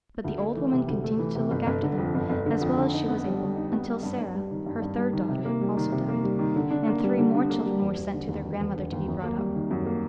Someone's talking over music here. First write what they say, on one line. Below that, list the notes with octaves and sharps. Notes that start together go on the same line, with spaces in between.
But the old woman continued to look after them, as well as she was able, until Sarah, her third daughter, also died, and three more children were sent to their grandmother to be brought up.
D2
A3
E3
C3
D2
A3
E3
C3
G1
G1
D3
F2
G1
G1
D3
F2
D3
D#4
B3
G3
D3
D#4
B3
G3
G2
G2
G3
D#3
G2
G2
G3
D#3
C3
A#3
G3
D#3
C3
A#3
G3
D#3
D3
D4
A#3
G3
D3
D4
A#3
G3
E1
E1
D3
D#2
E1
E1
D3
D#2
F#2
A#3
G3
D#3
F#2
A#3